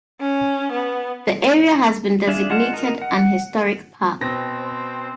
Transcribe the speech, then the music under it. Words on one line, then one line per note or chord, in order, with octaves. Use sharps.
The area has been designated an historic park.
C#4
B3
D4 F4 G#4 E5
G#3 F4 F#5 A5 F6
D#4 A#4
F#5
B2 C4 A#6